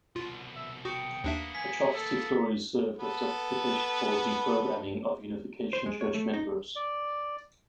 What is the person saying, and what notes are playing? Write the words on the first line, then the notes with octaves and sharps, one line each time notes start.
Atrocity stories served as justification for deprogramming of Unification Church members.
C2 B2 F4
E5
F#4 G5 D#6 C#7
D#2 A#3 B3 D4 E5
G#5 B6
A4
B3 A4 B4
C5
G#3
C#5
A3
D#4
D5